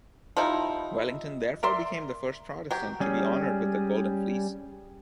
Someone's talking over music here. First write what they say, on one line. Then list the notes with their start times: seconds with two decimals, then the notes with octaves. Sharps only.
Wellington therefore became the first Protestant to be honoured with the Golden Fleece.
0.37 F3 G3 D#4 E4
1.63 A#4 D5 E5 C6
2.71 F#3 G4
3.00 G3 C#4 G#4